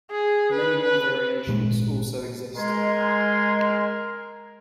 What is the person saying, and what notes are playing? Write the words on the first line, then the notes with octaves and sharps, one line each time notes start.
Many more variations also exist.
G#4
B4
B4
G#1 A#2 G#3
G#3 A#4 G#5 C6